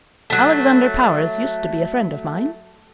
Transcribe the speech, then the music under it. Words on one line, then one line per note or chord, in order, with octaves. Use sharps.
Alexander Powers used to be a friend of mine.
F#3 A3